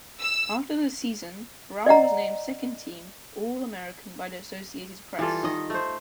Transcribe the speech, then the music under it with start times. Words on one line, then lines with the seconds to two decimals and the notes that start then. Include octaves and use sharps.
After the season, Brown was named Second-Team All-American by the Associated Press.
0.22 E6
1.86 D5 D#5 F#5 A#5
5.19 E3 G3 F4 A4
5.43 D#3 D#5
5.70 A3 C5